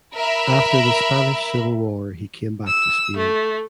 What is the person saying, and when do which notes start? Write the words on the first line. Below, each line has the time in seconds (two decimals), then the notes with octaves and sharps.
After the Spanish Civil War he came back to Spain.
0.15 A#4 E5 B5
2.67 E6
3.17 A3